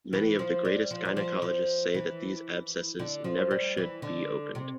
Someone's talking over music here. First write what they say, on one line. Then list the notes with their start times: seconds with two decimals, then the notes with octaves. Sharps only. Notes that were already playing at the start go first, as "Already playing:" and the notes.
Many of the greatest gynecologists say that these abscesses never should be opened.
0.13 E3
0.39 F3
0.65 G3
0.91 F3
1.05 G3
1.17 F3
1.42 F3
1.94 E3
2.99 D3
3.24 F3
3.51 G3
3.77 E3
4.02 D3
4.55 C3